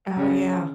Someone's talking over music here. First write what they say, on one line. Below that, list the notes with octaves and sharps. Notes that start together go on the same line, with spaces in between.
Oh, yeah.
C#3